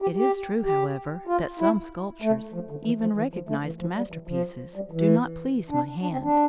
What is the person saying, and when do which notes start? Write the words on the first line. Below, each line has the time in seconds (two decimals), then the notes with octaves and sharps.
It is true, however, that some sculptures, even recognized masterpieces, do not please my hand.
0.02 G4
0.17 G4
0.65 G4
1.27 F4
1.59 E4
2.22 A3
2.54 F3
2.70 D3
2.85 E3
3.02 F3
3.17 E3
3.34 F3
3.49 A3
3.65 E3
3.80 F3
3.97 G3
4.12 E3
4.28 F3
4.76 G3
4.91 E3
5.70 D4
6.02 D4
6.12 C4
6.23 D4